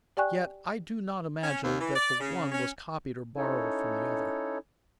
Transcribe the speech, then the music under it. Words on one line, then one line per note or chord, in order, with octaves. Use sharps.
Yet I do not imagine that the one was copied or borrowed from the other.
G4 D5 G5 G#5 C#6 F#6
C#4
D#2
E3
D5
C#3
C#4
C#4 D#4 E4 A4 C#5